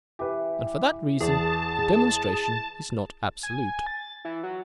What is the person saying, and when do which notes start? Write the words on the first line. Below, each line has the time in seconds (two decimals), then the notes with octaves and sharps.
And, for that reason, the demonstration is not absolute.
0.19 E3 G4 B4
1.21 E2 G#4 A5
3.43 G#5
3.86 A6
4.25 E3
4.43 F#3